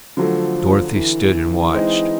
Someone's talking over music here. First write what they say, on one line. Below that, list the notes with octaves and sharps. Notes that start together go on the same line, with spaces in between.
Dorothy stood and watched.
D3 F3 F#3 A3
E3
G#3 C4 D#4